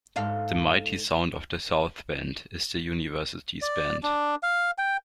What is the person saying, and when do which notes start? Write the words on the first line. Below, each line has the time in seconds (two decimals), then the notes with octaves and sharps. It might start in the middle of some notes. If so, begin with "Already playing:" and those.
The Mighty Sound of the South Band is the university's band.
0.16 G#2 A4 F5
3.62 D5
4.03 D4
4.43 F5
4.78 G5